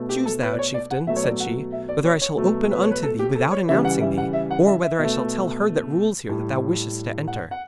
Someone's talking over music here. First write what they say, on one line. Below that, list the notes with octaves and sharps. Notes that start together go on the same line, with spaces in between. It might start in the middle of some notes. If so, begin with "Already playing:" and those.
'Choose thou, chieftain,' said she, 'whether I shall open unto thee without announcing thee, or whether I shall tell her that rules here that thou wishest to enter.'
Already playing: B2 A3
G4
A4
B4
D5
C#5
D5
F#5
B2 F#3 A3 E5
C#5
D5
F#5
E5
D5
C#5
C#5
B2 F#3 A3
B4
C#5
B4
A4
G4
A4
C#5
C#3 E3 G3 E5
F#5
E5
F#5
E5
F#5
E5
E5
B2 A3
A2 G3
F#5
F#5